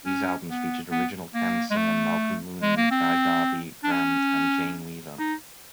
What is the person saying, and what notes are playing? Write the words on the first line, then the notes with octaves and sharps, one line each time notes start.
These albums featured original Can singer Malcolm Mooney, Guy Garvey, Gramme, and Jane Weaver.
C#4
B3
B3
A#3
G#3
A3
G#3
A#3
C4
D4
C#4
D#4